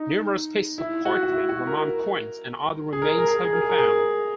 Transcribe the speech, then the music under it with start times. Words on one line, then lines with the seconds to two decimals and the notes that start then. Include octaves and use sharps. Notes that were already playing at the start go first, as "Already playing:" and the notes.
Numerous pieces of pottery, Roman coins, and other remains have been found.
Already playing: D#4
0.78 E4
1.05 F#4
1.23 F#4
1.32 E4
1.49 F#4
1.67 A#4
2.93 G#4
3.02 A#4
3.10 G#4
3.18 A#4
3.27 G#4
3.36 A#4
3.45 G#4
3.53 A#4
3.61 G#4
3.70 A#4
3.78 G#4